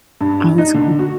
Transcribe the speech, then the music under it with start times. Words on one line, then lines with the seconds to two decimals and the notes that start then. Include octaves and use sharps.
Oh, that's cool.
0.21 G2
0.58 D#4
0.74 D3
0.99 F#4